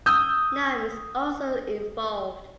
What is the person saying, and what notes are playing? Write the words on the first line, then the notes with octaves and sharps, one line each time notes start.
Nam is also involved.
D#6 E6 G6